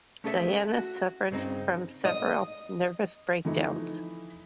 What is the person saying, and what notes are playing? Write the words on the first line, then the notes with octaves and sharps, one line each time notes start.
Diana suffered from several nervous breakdowns.
A3 C#4 G#4 A4 D5 E5
F#4
G2 C#3 C4 D#4
D#5
E3 F3 A3 D#4 E4